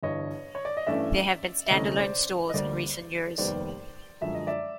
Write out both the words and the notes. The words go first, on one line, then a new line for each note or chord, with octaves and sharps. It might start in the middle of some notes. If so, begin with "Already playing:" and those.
There have been stand-alone stores in recent years.
G1 G2 E3 C#5 D#5
C#5
D5
D#5
G2 E3 A3 C#4 D5 E5
E5
D2 C3 E3 A3 C#4 C#5 D#5
C5 D5
D#5
D2 D3 G3 A#3 C5 D5
F1 D#2 D#3 G3 B3 C5 D5
F#2 D3 F3 G#3 E5
D#5
D5 E5